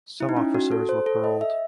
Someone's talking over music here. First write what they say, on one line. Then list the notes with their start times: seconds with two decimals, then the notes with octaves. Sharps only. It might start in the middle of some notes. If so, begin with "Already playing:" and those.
Some officers were paroled.
0.20 E4
0.29 D#4
0.37 C#4
0.54 F#4
0.71 A4
0.89 C5
1.06 A4
1.24 D#5
1.41 E5